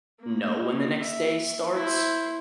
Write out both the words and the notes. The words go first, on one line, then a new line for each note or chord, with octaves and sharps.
know when the next day starts,
A#3
E5
E4 C5